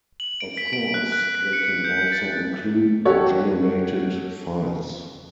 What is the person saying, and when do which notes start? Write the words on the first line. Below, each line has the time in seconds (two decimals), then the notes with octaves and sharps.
Of course, they can also include the generated files.
0.20 F#7
0.40 D7
0.57 B6
0.73 D7
0.94 F#6
1.12 F#6
1.35 B6
1.53 C#7
1.84 G6
2.12 A6
3.05 F#4 G4 A4 C#5